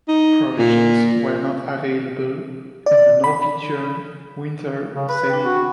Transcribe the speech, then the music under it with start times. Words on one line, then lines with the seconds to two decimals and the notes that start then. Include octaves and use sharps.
Provisions were not available, and the Norwegian winter set in.
0.08 D#4
0.58 A#2
2.86 D5
3.24 B5
4.96 C#3
5.09 B4 B5
5.29 D4 G5
5.45 F#4